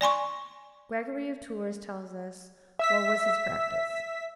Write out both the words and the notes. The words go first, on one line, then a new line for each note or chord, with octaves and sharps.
Gregory of Tours tells us what was his practice.
D5 G#5 C6 C#6
E5 E6 B6